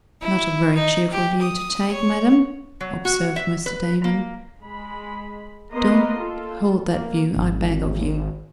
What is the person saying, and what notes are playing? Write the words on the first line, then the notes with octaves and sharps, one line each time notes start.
Not a very cheerful view to take, madam," observed Mr. Damon. "Don't hold that view, I beg of you.
E4
D#4
G4
D#6
C#5
F#3
F#4
E5
B4
A#3
G#3 B5
A#3 B3 B4 D#5 A#5 C6
F4 A4
A#3
G#1